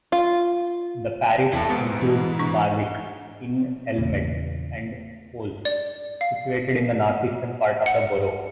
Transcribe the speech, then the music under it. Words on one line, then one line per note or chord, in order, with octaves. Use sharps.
The parish includes Barwick-in-Elmet and Scholes, situated in the north-eastern part of the borough.
F4
E2 E4 A4
G#2 B3 B4 C#7 D7
E3
D4 C#6 B6
E2 A#2 C#3
D5
F5
F#5